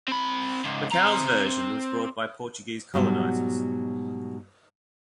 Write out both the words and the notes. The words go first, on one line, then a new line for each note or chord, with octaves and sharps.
Macau's version was brought by Portuguese colonizers.
C4 B5
C#2 G#2
C4 A#5
G#2 B2 F#3 G3